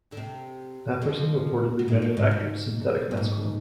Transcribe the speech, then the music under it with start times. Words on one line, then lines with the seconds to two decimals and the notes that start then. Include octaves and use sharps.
Apperson reportedly manufactured synthetic mescaline.
0.12 D3
0.17 C3
1.02 F2 F3
1.79 B3
1.88 G#2 G#3
2.02 B2
2.17 G#2
2.31 G#2
3.11 G2
3.17 G#2